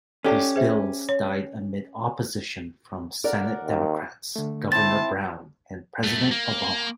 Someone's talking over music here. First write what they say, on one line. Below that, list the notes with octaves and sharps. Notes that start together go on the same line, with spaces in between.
These bills died amid opposition from Senate Democrats, Governor Brown, and President Obama.
C#4 G4 A4 D5 A5
G#4 C5 E5
C#5
A#4 D5 F#5
D#2
D3 A3
C4 E4 A5 A6
F#2 A3
A#3